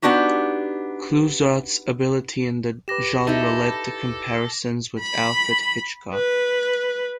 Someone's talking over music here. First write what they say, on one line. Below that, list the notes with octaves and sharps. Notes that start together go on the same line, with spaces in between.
Clouzot's ability in the genre led to comparisons with Alfred Hitchcock.
B3 D4 D#4 F#4 G4
G4 B4 D6 A#6 E7
D#4 E4 A4
B5
B4